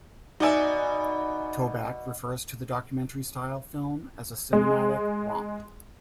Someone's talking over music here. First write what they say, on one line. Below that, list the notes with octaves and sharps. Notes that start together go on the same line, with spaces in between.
Toback refers to the documentary style film as a cinematic romp.
B2 D#4 D5 E5 G#5
G#3